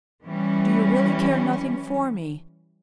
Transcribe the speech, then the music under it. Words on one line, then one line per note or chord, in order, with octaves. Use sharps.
Do you really care nothing for me?
E3 G3 C#4